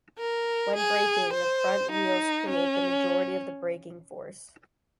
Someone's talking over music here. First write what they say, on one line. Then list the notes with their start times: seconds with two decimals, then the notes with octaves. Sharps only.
When braking, the front wheels create the majority of the braking force.
0.18 A#4
0.76 G#4
1.34 C5
1.91 D#4
2.49 C#4